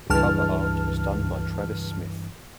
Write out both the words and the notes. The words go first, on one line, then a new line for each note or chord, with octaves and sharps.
The cover art was done by Travis Smith.
C#2 G2 E3 A5 F6